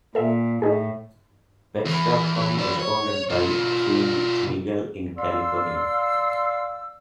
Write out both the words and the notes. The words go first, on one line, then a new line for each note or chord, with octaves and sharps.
Pets dot com responded by suing Smigel in California.
A#2 A4 E5
A2 D#4 G#4
E2 E3
F3 D5
C#5
B2 F4
D5 F5 C6 E6